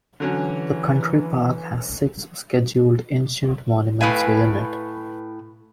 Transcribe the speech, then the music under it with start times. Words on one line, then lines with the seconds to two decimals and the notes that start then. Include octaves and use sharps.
The country park has six Scheduled Ancient Monuments within it.
0.20 D3 E3 F#3 C#4
4.01 A2 B4 F5 G#5